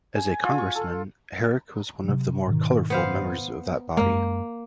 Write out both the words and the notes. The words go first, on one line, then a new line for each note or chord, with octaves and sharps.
As a Congressman, Herrick was one of the more colorful members of that body.
G#5
F4
C#6
A4
C3 F#3
G#2 B2 D#3
B3 C5 F5
F#2 G#3 A#3